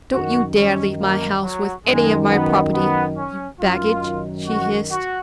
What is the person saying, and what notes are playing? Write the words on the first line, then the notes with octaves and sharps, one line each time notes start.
"Don't you dare leave my house with any of my property, you baggage," she hissed.
F#2 D#3 F#4
C#4
A#3
F#3
F#2 D#3 G#3
B3
B3
C#4
F#2 D#3 F4
F#4
F#4